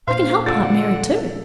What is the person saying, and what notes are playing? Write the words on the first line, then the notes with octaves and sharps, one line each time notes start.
I can help Aunt Mary, too.
A#2 C5 F5 C6
D3 F4 A4 F#5 E6 A6